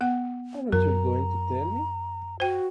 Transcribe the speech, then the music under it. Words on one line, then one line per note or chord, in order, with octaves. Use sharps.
Aren't you going to tell me?
B3 F#5
F#2 A#4 A#5
F#4 C5 G5